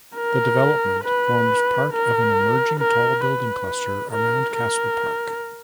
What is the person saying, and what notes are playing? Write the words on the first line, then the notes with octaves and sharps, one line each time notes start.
The development forms part of an emerging tall building cluster around Castle Park.
A#4
B4
A#4
A#4
B4
A#4
A#4